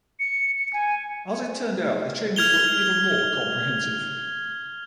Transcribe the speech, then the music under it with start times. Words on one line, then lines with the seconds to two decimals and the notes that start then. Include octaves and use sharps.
As it turned out, the changes were even more comprehensive.
0.20 C#7
0.56 C#7
0.73 G#5
2.36 F6 G#6 F7 G7